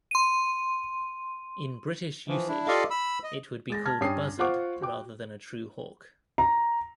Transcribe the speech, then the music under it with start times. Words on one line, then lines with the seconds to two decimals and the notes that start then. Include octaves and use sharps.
In British usage, it would be called a buzzard rather than a true hawk.
0.11 C6 D#7
2.28 E3 F3
2.48 D4 E4
2.67 F4 G4 A4 D5 D#5 F5
2.90 B5 E6
3.24 D#5
3.70 G#3 A6 A#6
3.85 A5 F6 G#6 A#6
4.01 G2 C#4 C#5 G5 D#6 C7
4.39 F4 C5 F5 F#5 C#6 D6
4.81 F#4 G5 D6
6.38 A#5